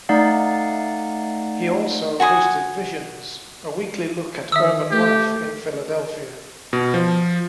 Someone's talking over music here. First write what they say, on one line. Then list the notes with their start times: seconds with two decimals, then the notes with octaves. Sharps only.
He also hosted "Visions", a weekly look at urban life in Philadelphia.
0.09 A3 D#4 D5 F5 F#5
2.20 F#4 G#5 B5 D#6
4.52 D#3 E5 D#6 E6
4.91 A3 G4
6.73 B2
6.94 F3